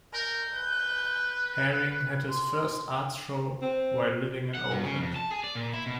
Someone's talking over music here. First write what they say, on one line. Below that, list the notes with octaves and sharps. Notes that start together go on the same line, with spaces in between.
Haring had his first art show while living in Oakland.
A#4 G6
B4
C6
C4
F#5
G2
C#3
F2
A5
G#4
D5
A#2
E4
B2